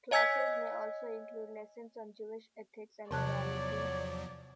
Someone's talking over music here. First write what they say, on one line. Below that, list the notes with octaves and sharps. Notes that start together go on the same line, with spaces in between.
Classes may also include lessons on Jewish ethics and morality.
C#5 D#5 G#5 E6 G#6 B6
E2 C3 F3 F#3 C#5 D5 A5 F#6